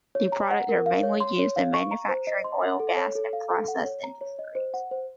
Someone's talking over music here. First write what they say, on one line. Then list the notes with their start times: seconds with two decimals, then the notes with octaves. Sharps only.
The products are mainly used in the manufacturing, oil, gas and process industries.
0.15 C#5
0.32 A#5
0.51 F#5
0.69 A#4
0.86 F5
1.03 C#5
1.20 C6
1.39 C#5
1.56 F5
1.74 C#6
1.91 A#5
2.09 C5
2.27 D#5
2.44 C6
2.62 F#5
2.80 A4
2.97 C#5
3.15 A4
3.33 F5
3.50 A4
3.68 F#5
3.85 C#5
4.04 A#5
4.21 C#5
4.39 D#5
4.55 C5
4.74 F#5
4.91 C5